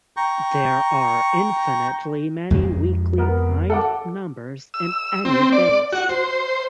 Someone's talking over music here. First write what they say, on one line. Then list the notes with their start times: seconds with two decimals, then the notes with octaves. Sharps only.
There are infinitely many weakly prime numbers in any base.
0.17 G5 A#5 C#6
2.50 F2 G#3
3.18 B3 A#4
3.70 A4 F#5 D6
4.74 E6
5.25 C4
5.52 D5
5.93 F#4
6.09 C5